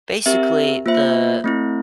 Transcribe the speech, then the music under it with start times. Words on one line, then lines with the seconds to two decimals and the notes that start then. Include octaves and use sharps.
basically the
0.26 C4 G4 A#4 E5
0.86 A#3 F4 C5 E5
1.44 A3 C4 E4